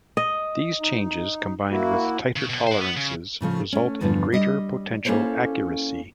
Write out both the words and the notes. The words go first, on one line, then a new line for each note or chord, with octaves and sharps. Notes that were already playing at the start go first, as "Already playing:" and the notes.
These changes combined with tighter tolerances result in greater potential accuracy.
D#5
D#4
A#3 E4 F#4
C#3
B2
C5 F#5
B3
C#3
A2 C#3 F3 A3
A3 C#4
E2 G2 D3 F3 B3
G3 D#5
A#3 C#4 E4 A4 C5 C#5